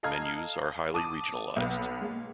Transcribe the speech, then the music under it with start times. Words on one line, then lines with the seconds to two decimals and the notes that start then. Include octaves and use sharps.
Menus are highly regionalized.
0.03 A4 D#5 F5 A#5 F6 G#6
0.94 A5 D6 D#6 D#7
1.56 B1 B4
2.01 G#3 A#3